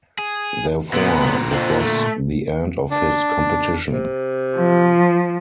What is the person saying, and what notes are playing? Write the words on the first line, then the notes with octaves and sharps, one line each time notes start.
Therefore, that was the end of his competition.
G#4
A#2 D3 B3
C4 F4
A3
D4
C3
F3